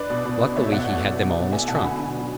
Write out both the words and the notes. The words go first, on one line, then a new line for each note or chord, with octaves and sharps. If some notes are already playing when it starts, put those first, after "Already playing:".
Luckily he had them all in his trunk.
Already playing: D4 B4 D5
B2
B2
D4
A3 C#5 E5
B2 D5 F#5
A3
B2
B2
B2
A3 E5 G#5
B2 F#5 A5
D3 G#5 B5
D3
F#3